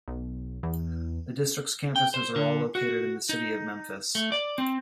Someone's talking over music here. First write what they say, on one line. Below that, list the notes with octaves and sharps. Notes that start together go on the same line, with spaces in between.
The district's campuses are all located in the city of Memphis.
B1
E2
G5
C5
D3
F#4
D#4
A3
D5
C4